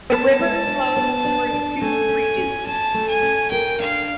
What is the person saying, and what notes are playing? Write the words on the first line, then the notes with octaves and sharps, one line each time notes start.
The river flows through two regions.
B3 A5
G#3
D4
B3
D4
D4
A3 G#5
C#4
C#4
C#4 A5
A3
G#5
C#4
A#4 G5
D4 F5